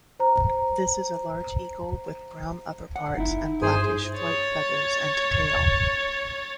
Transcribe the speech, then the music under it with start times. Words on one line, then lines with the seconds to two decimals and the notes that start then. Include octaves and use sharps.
This is a large eagle with brown upperparts and blackish flight feathers and tail.
0.20 C5 A#5
2.96 F#5
3.18 F#1 D#4 E4
3.62 G2 G#4 C5 G#5
4.17 C#5 A6